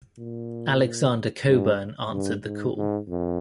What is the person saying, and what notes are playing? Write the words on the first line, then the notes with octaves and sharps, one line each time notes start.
Alexander Cockburn answered the call.
A#2
G2
G2
G#2
G#2
F2